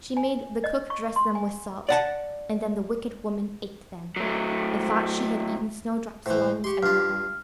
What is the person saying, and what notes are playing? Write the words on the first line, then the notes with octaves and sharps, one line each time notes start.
She made the cook dress them with salt, and then the wicked woman ate them, and thought she had eaten Snowdrop's lungs and liver.
G#5
D#5
C#6
C6
G#5
D5 F#5 A5
F#3 A3
A2 E3 C5
G4 C6 C#6
G2 F4 F6